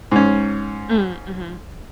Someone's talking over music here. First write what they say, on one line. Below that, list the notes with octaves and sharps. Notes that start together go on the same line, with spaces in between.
Mm, mhm.
G#2 C#4